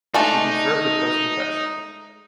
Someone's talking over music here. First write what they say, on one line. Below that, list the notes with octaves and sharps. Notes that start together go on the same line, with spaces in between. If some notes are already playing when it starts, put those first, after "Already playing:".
You can serve the coast protection.
G#3 A3 D4 D#4